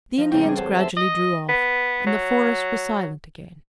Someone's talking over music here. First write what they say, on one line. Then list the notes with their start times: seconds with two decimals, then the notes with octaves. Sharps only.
The Indians gradually drew off, and the forest was silent again.
0.18 F3 D#4
0.31 E2 G#2 C#3 C4 G5 C#6
0.44 G3 G#4
0.57 G#4 A4 C5 F#5
0.77 E5 A5 C6 E6
0.96 D#5
1.49 B3
2.06 F#3